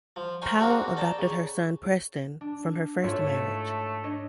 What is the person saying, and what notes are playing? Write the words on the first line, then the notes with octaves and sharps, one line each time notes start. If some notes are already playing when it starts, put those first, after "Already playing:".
Powell adopted her son Preston, from her first marriage.
F3
A#4 C5 C#5 G#5
A#3 C4 D4 F#4 G#4 A#4
D5 G5 A5 A#5
C#3
D4
G#2 A3 F4 C#5
D4 C#5 D#5